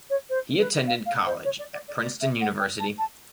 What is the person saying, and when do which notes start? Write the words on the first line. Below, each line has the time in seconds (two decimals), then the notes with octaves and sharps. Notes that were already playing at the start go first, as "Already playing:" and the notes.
He attended college at Princeton University.
0.10 C#5
0.29 C5
0.58 B4
0.87 F5
1.06 F5
1.26 C5
1.44 C#5
1.59 D5
1.73 D5
1.88 D5
2.02 D5
2.21 E5
2.41 F#5
2.59 G5
2.79 A5
2.98 A5